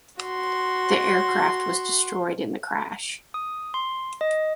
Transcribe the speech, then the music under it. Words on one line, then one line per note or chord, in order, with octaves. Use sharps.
The aircraft was destroyed in the crash.
F#4 C6
D#6
C6
D#5